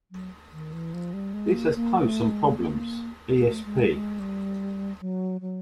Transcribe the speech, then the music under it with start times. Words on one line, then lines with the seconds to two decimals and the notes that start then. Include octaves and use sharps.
This has posed some problems, esp.
0.11 F#3
0.52 D#3
0.73 E3
0.93 F3
1.13 G3
1.33 G#3
1.54 A#3
1.75 A#3
2.01 A3
2.28 G#3
2.56 A#3
3.37 A3
3.65 G#3
3.92 G#3
4.19 G3
5.01 F#3
5.41 F#3